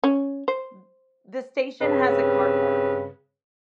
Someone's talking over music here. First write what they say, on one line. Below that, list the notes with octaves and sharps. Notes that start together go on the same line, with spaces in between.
The station has a car park.
C#4
C5
G2 C#3 C4 B4